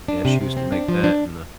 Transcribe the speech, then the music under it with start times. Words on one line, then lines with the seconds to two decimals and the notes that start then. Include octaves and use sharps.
Yeah, she used to make that, and the,
0.08 D4
0.25 C3
0.41 C3
0.57 C4
0.72 D4
0.88 F3
1.04 D4